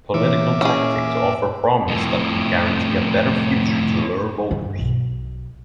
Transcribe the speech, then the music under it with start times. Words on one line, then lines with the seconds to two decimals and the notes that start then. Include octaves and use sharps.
Political tactic to offer promise that would guarantee a better future to lure voters.
0.14 A#2 E3 C#5 E5 D6
0.61 C#4 G#4
1.88 F2 A2
4.51 G2
4.79 B1